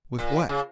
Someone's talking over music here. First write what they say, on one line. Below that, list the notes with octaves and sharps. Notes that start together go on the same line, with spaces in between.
With what?
A#2
C#3